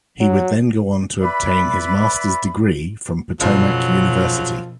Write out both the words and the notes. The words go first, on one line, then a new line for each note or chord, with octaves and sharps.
He would then go on to obtain his master's degree from Potomac University.
F#3
B4 D5 E5 B5
F#1 B2 F3 F#3